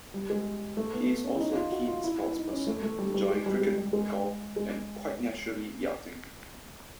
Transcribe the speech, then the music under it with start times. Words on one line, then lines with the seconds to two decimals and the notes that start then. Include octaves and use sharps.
He is also a keen sports person, enjoying cricket, golf and quite naturally yachting.
0.14 G3
0.30 G#3
0.77 A3
0.93 B3
1.24 C#4
1.35 E4
1.40 D#4
1.56 F4
1.72 F#4
1.88 F4
2.04 E4
2.20 E4
2.35 D#4
2.51 C#4
2.67 A3
2.83 A3
2.99 G3
3.14 G3
3.30 G#3
3.46 G3
3.61 G#3
3.78 G3
3.93 G#3
4.56 G#3